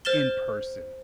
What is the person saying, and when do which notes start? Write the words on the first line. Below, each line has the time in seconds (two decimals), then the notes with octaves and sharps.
in person?
0.05 C5 F6 A6 E7 G7